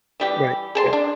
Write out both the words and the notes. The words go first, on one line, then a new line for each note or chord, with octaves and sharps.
Right, yeah.
E3 G3 G4
G#4 A5 C6
D4